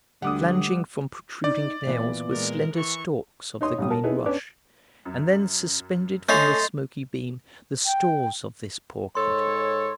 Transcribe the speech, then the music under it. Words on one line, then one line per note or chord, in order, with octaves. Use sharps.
Flanging from protruding nails Were slender stalks of the green rush; and then Suspended from the smoky beam, the stores Of this poor cottage.
D2 D3 G3 F#5 D6 D#6
D#4 D5
A#2 E3 B3
G#3 A#4
E3 C#6
D#4 C#5 C6 D#6
A1 G3 D#6
A#4 A5
B3 D#4 E4 G#4
C#4 D4 B4 C#5 D6
F#2
A3 C#4 D#5 C6 G6 A6 C7 F7
G5
G#2 A4 C#5 C6